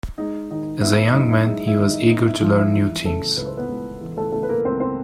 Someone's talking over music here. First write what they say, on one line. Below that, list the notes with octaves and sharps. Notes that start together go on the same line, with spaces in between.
As a young man he was eager to learn new things.
G#3 D#4
D#3 D#4
B3 E4
E4
F#2 D#4
E4
G#3 D#4
E4
D#3
D#4
B3 D#4
E4
F#2 F3 F4
E4
E3 E4
C#3 A3 A4
C#2 B4
C5
B3 B4
C#2
E3
A3 A4
C#3 A3 A4
B4
A#3 A#4
C#2 C4 C5
C4 C5